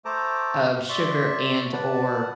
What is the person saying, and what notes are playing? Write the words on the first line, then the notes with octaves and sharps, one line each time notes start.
of sugar and/or,
A3 A4 C5 A5 A#5 D6
D5 E5 C6 C#6
B4 D5 F#5 A5